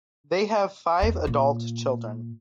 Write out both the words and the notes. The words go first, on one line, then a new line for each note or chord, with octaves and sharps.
They have five adult children.
E2
A#2